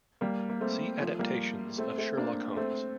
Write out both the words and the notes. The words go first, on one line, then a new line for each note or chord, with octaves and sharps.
See Adaptations of Sherlock Holmes.
G3 A#3
A#3
A3 C4
F3 A3
G3 A#3
A3 C4
A3 C4
A#3 D4
A3 C4